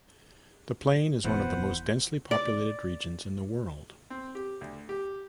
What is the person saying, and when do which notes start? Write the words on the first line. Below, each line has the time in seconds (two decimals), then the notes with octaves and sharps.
The plain is one of the most densely populated regions in the world.
1.24 D#1 B2 E3 B4 C5 F#5
2.31 D5
4.10 C4
4.35 G4
4.61 D2
4.89 G4